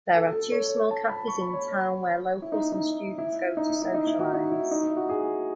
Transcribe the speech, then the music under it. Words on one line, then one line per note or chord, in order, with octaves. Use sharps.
There are two small cafes in town where locals and students go to socialize.
A4
A4
C#5
A5
B5
C#6
B5
C#5
E4
D#4
D#4
E4
D#4
E4
E4
D#4
E4
F#4
D#4
E4
D#4
E4
F#4
G#4